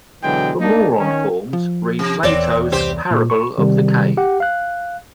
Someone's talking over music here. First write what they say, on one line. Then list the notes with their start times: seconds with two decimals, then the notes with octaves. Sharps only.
For more on forms, read Plato's parable of the cave.
0.23 B2 D3 E3 F#3 G#3 G5
0.60 A#3 D4 D#4
1.00 D#3 C#4
1.53 F3
1.99 C3
2.23 D#1 E2 C4 C#5 D5
2.72 C2 C4 G4 C5
3.11 A#2
3.30 C#6
3.58 C3 D#3 G3
4.17 G4 F#5
4.40 F5 F#6